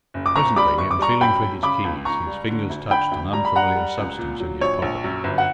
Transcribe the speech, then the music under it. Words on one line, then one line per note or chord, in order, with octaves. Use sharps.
Presently, in feeling for his keys, his fingers touched an unfamiliar substance in his pocket.
F#1
D6
F#1 A#5 C#6
G3 B5 D6
G1 C#6
D6
G3 A#5 C#6
F#2 G5 B5
F#2
C#3 B5 D6
C#2
C#2 A#5 C#6
G3
D3
D2
D3 G5 B5
D2
G3 A#5
B5
G3 F#5 A#5
G3
C#2
A#2
F#3
A#1 C#5
A#1
F#2
G1
F#5